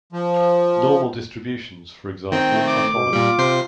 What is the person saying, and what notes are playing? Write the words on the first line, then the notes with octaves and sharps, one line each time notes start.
Normal distributions, for example, are common.
F3
D#3 C4 G5
A3
D6
B2
A#2 G3 F4
C3 C5 C7